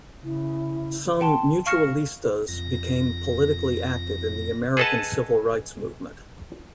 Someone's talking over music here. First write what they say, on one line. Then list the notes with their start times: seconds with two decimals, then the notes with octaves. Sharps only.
Some "mutualistas" became politically active in the American Civil Rights Movement.
0.24 C#3 E4
1.20 F#5 G5 A5 C6
1.66 F5 C#6 F6 A#6 C#7 E7
2.48 F2 A#6
4.77 G#4 A4 B4 D#5 F#5 A5